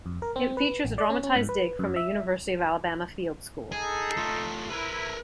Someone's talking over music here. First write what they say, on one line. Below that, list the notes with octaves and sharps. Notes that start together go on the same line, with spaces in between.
It features a dramatized dig from a University of Alabama Field School.
F2
A#4
C4
B4
A1
D5
C#4
C#4
G#2
B4
F#2
E5
D#4 G#4 A4
A3 F4
E4 A#4 B4